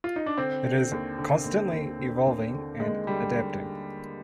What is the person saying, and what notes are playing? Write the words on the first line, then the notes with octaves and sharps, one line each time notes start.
It is constantly evolving and adapting.
F4
D#4
D4
D3 C4
D3
D#2
D3
D#2
D#2
D3
D#2
D3
D#2 G#3
D3 G3